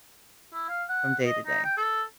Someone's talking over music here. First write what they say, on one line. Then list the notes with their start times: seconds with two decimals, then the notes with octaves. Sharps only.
from day to day.
0.53 E4
0.69 F5
0.89 F#5
1.26 D#5
1.46 D#4
1.64 G5
1.77 A4